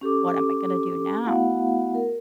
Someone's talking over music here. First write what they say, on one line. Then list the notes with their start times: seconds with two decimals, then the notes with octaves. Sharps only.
"What am I gonna do now?"
0.01 C#4 G4 A4 D6
1.25 A3 B3 E4 F#4 F5 F#5
1.95 A#4